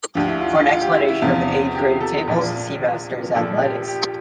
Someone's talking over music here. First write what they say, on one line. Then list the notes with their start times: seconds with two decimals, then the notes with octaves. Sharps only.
For an explanation of age-graded tables, see masters athletics.
0.15 D2 D3 F3 G4
0.28 E4
0.41 F4
0.55 F4
0.68 F4
0.81 G4
0.95 E4
1.08 E4
1.22 E2 C3 F3 F4
1.75 G4
2.01 A4
2.28 A#1 A#2 F3
3.34 A#1 A#2 F3 A4
3.61 G4
3.88 G4